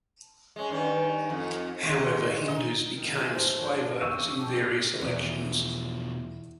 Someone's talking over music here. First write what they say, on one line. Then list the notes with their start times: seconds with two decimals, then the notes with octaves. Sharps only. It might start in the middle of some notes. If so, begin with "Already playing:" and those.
However, Hindus became sway voters in various elections.
0.56 G#3 C#4
0.70 G2 D#3 C#4
1.30 F2
1.83 D#2 G#3 F#4
2.48 D#4 D#5
2.96 D#3 D#4
3.16 E3 F4
3.33 G#2 A4 A#4 C5
3.58 C#3 F3 F#4
4.01 F4 G4 C#6 E6 D#7
4.39 B2 F3 D4 G4
5.01 E2 B2 F3